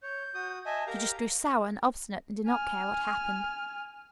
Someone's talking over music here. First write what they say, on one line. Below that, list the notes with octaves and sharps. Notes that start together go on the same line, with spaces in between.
She just grew sour and obstinate and did not care what happened.
C#5 G6
F#4 D#6
D#5 E5 G#5 A5
G4 A#4 F5 A#5
G#5 F6